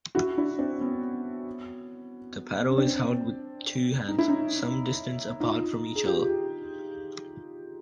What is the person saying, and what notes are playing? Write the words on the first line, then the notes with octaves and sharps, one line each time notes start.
The paddle is held with two hands, some distance apart from each other.
E4 F#4
D4 E4
C4 D4
B3 C#4
C#4
C4 D4
D#4
E4
C#4 D#4
D#4 F4
G#4
F4 G4